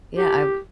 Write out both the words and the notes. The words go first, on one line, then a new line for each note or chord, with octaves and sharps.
yeah, I've
G4